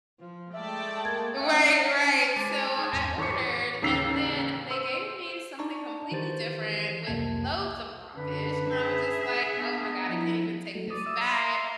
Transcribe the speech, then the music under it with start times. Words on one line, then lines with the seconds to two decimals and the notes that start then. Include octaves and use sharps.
right, right, so, I ordered, and then they gave me something completely different with loads of raw fish, and I was just like, "Oh my god, I can't even take this back."
0.19 F3
0.54 G#3 A3 D5 E5 G5 A5
1.05 A#3 G#6
1.40 C#4 D4 E5 F#5 G5
2.23 C5
2.36 G#3 A5 D6 A6
2.78 D#4 G#4
2.93 E2 G#2 C4 G#5
3.18 A1 C#6 D6 C#7
3.82 A1 D#2 C#3 E6 C7 F7
4.70 C5 E6
5.59 D4 D#4 D5 A5 A#5 C#6
6.12 D#3 E3 G4 C5 A6
7.06 C2 F2 C3 A#3 A5 G#6
8.16 F#2 D3 D4 B4
8.70 G#4 E5
9.57 B3 D4 D#5
10.05 F3 E4
10.75 F#3 A3
10.91 D5 D#6
11.06 E5 D#6 E6
11.24 C6